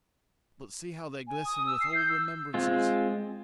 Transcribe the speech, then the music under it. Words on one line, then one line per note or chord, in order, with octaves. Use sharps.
But see how they glisten with old remembrances!
G#5
D#6
E6
C7
G6
E6
G#3 C4 F4